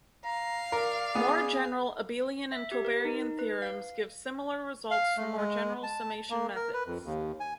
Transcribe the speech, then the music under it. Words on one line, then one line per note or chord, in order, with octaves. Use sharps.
More general abelian and tauberian theorems give similar results for more general summation methods.
F5 A#5
A#4 D5
B3 G#4
E5
G4
A#4
D#4
B4
F5
F5
A3
G#3
A5
A#3
A#4
B4
F2
D#2
G#5